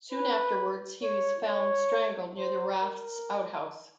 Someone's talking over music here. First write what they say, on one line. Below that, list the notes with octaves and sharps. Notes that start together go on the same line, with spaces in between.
Soon afterwards he is found strangled near the raft's outhouse.
B4
C#5
C#5
C5
A#4